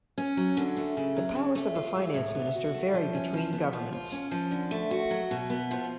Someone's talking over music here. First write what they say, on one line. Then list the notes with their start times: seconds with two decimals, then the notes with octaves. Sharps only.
The powers of a finance minister vary between governments.
0.18 C#4
0.37 F#3
0.57 D3
0.77 A3
0.97 C#3
1.16 F#3
1.35 C#3
1.55 A3
1.76 F4
1.95 G#3
2.14 A2
2.35 B3
2.55 F#4
2.74 A3
2.94 F3
3.14 C#4
3.34 F3
3.53 B3
3.73 F3
3.93 F4
4.12 C#4
4.31 F3
4.51 D3
4.71 A3
4.91 F#4
5.11 F#3
5.31 B2
5.50 B3
5.71 F3